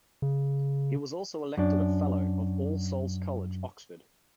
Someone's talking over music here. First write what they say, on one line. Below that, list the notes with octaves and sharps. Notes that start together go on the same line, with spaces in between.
He was also elected a fellow of All Souls College, Oxford.
C#3
F#2 D4